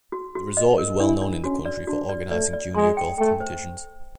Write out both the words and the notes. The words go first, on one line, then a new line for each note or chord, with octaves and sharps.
The resort is well known in the country for organising Junior Golf competitions.
F#4
F#4
D#5
A#4
D4 E4
D4
C#4 F#4
D5
D4 F#4
D5
A3 D5
D5
G#3 C6
G5
A3 G5
C5